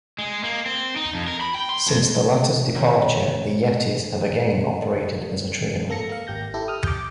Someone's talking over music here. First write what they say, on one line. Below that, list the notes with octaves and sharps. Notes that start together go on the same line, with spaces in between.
Since the latter's departure, The Yetties have again operated as a trio.
G#3
A#3
C4
D#4
F2
A#4
B5
G5
C6
F2
D#3 F#3 A3 C#4 E4
G#2 A#3 A4 A#6 C#7
A#3 F5
G#1 G4 G6 A#6
E4 G4 A4
D#6 F6
D6 G6